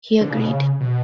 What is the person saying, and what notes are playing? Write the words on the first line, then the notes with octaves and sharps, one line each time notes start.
He agreed.
D3
C#3
B2
C#3
B2